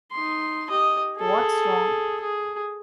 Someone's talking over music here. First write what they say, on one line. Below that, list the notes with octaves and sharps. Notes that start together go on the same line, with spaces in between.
What's wrong?
D#4 C6
G4 D#5
G#4 A4
G#4